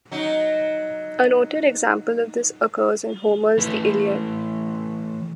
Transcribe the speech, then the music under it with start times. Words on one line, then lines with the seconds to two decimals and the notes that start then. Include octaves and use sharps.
A noted example of this occurs in Homer's "The Iliad".
0.12 F#3 D#4
3.58 E3 A3 B4